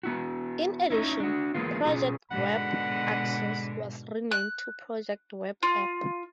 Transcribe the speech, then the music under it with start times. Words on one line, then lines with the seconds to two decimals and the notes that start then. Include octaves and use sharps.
In addition, "Project Web Access" was renamed to "Project Web App".
0.03 B3 E4 F#4
0.90 C#4 D#4 E4
1.20 D4 F#4
1.54 E3 G#3 A#3 B3 F4
1.85 B2 F3 C#4 F4 G#4
2.31 G#2 B2 D3 G#3 F#5 B5
4.31 F#6
5.63 F4